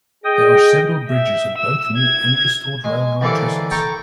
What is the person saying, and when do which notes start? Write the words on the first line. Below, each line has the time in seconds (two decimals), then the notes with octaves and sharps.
There are several bridges and both new and restored railroad trestles.
0.24 G#4 D#5 G5 D#6
1.09 E5
1.58 E6
1.98 G#6
2.84 G#3
3.21 C2 D3 E3 A#3 A4 D5
3.71 A4 C#5 G5 A#5 C#6